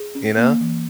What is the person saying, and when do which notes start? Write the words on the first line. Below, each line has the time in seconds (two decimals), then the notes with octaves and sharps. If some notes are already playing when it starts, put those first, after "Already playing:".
You know?
Already playing: G#4
0.15 C#4
0.38 A#3
0.61 E3